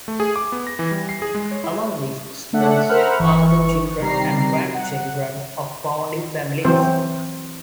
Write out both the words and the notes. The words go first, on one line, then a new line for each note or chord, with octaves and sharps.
Among these students are the children and grandchildren of founding families.
A3
G#4
D6
B3
A#6
E3
G3
C7
G#4
G#3
C#5
E4
A3 D4 A4 E5 F#5
A#4 C5 E5 F#5 B5 F6
G1 E3 C#6
C3 D#3 G3 A#5 C7
F#5
E3 F#3 C4 C5